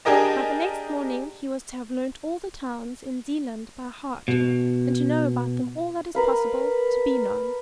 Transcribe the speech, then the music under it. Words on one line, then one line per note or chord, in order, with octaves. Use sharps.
By the next morning he was to have learnt all the towns in Zealand by heart, and to know about them all that is possible to be known.
D4 G4 G#4 A#4 D#5 A5
B2
A#4 B4 F5